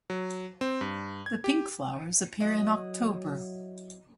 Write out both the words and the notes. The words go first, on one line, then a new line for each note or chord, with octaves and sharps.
The pink flowers appear in October.
F#3
C4
G2
G#6
G4
F#3 E4 D#5 F#5